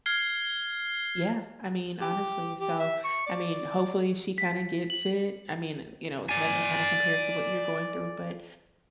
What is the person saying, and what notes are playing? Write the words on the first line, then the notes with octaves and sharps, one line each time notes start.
Yeah. I mean, honestly. So, I mean, hopefully, she kinda gets it. I mean, you know, it's nothing kinda compared to what you're going through, but,
F6 G#6 C7 G7
G4
G4
E5
C#6
D5
B6
F#7
D5 G#5